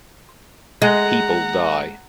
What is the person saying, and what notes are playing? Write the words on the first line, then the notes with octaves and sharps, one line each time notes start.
People die.
G#3 F#5 A#5